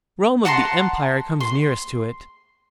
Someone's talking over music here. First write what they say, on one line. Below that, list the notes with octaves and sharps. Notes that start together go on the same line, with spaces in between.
"Rome of the Empire comes nearest to it...."
F#5 A5 A#5 C6
C6